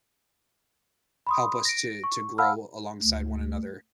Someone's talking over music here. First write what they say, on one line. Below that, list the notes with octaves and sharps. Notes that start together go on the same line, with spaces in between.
help us to to grow alongside one another,
B5 C6 D#6
A#6 D7
C#6
F5 F#5 A5 B5 E6 F6
D2